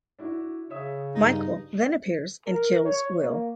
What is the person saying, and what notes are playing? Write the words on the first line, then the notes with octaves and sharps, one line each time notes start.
Michael then appears and kills Will.
D4 E4 F#4
C#3 C#5 E5 D#6
G2 D#4
A#4
C#5
A#3